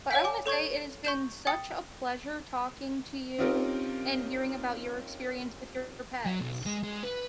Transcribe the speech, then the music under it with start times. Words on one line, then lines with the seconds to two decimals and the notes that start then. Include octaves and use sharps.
But, I wanna say, it has been such a pleasure talking to you and hearing about your experience with your pets.
0.11 C#5 D5 F5 F#5 G#5 B6
0.24 G#5 D6
0.46 A4 C#5 C#6 G#6
1.05 C#6 G6 E7
1.47 G5 D#6 A6 C#7
3.39 C4 C#4 D#4 F4 G4 A#4
6.25 F#3
6.41 B1
6.66 G#3
6.84 G#3
7.03 B4